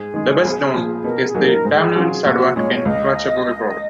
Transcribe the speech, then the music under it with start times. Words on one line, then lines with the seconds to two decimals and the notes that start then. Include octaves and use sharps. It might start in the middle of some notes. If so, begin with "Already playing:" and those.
The best-known is the Damnoen Saduak in Ratchaburi Province.
Already playing: G#2 G#4
0.14 D#3 G#3
0.44 B1
0.74 A#2 F3
1.04 B2 A#4
1.24 G#4
1.34 F#3 A#3 D#4
1.45 A#4
1.65 G#2 G#4
1.96 F#3 C#4 F4
2.26 A#1 F#4
2.56 A#2 G#3 C#5
2.76 C#5
2.85 C#2 D#5